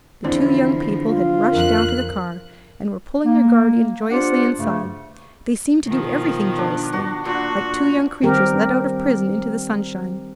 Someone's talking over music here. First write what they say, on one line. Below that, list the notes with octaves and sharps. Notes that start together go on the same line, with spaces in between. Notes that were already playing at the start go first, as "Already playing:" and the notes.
The two young people had rushed down to the car, and were pulling their guardian joyously inside. They seemed to do everything joyously, like two young creatures let out of prison into the sunshine.
E2 D3 F3 C4 D4 E4
F4
F2 A#4 F#6
A#3
D4 F4 G4 C5 F#5
G2 C#3 A3
B2 D#3 F3
D4
D4 F#4
A#2 F#4
D#3 G3 C4 G4 A#4